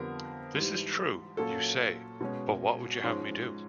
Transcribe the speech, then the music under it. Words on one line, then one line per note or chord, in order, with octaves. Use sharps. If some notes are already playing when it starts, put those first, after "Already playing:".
This is true, you say, but what would you have me do?
Already playing: F2 D3 G3 B3 A#4
G#2 E3 G3
A#2 F#3 A#3 C#4 A4
B2 G#3 C#4
G#2 F3 G#3 C#4